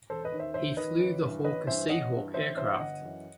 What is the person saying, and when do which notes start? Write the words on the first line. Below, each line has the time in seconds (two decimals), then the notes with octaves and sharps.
He flew the Hawker Sea Hawk aircraft.
0.10 E1 A4 C5
0.25 B4 D#5
0.32 D#2 D#3
0.39 C5 E5
0.54 E1 C5 E5
0.77 D#2 D#3 B4 D#5
0.99 A1
1.22 G2 E3
1.44 A1 B4 D#5
1.67 G2 E3 C5 E5
1.89 A1 D#5 F#5
2.11 G2 E3
2.34 A1 C5 E5
2.57 G2 E3 C5 E5
2.79 G1 D#5 F#5
3.02 F#2 E3